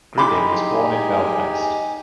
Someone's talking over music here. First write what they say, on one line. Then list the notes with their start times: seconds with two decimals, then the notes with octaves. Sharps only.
Gribbin was born in Belfast.
0.18 D#4 E4 G4 G#4 G#5 B5 C6 D6